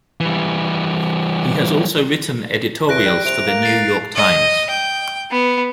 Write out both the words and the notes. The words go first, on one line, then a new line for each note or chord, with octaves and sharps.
He has also written editorials for "The New York Times".
E3 G3
E2 F#6 A#6 D7
G3
C3 D7 F7
A#3
A6 C7
D#5
G5
B3